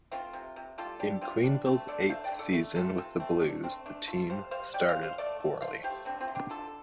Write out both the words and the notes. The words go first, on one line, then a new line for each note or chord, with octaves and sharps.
In Quenneville's eighth season with the Blues, the team started poorly.
A3 C4 F4
C3
C3
G3 F4 A4
G3 D4 G4
C3 C4 F4
G3 D4
A3 C4
D3 A4 D5
A3 C5 F5
D5 G5
D3
A4 D5
A3
C3 F4 A4
C3 F4 A4
A3 C4
A3 D4
A3 C4
A3 D4
A3 F4 A4
G3 C5 F5
G3 C5 F5
G3 D5 G5
C5 F5
G3
C5 F5
A3 A4 D5
A3
A3 C5 F5
A3 G4 C5
D3 C4
C4 F4
D3
D4 G4
D3 F4 A4